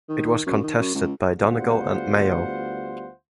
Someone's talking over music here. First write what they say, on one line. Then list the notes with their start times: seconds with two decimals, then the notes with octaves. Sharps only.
It was contested by Donegal and Mayo.
0.09 D#3
0.45 F#2
0.63 D#3
0.79 F#2
0.95 C#2
1.38 D2 G3 B3 F4 C5 F#5